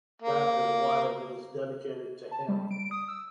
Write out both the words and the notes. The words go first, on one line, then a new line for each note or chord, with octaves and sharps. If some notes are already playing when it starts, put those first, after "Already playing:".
That is why it is dedicated to him.
A#3
A5
G3
D7
D#6
E6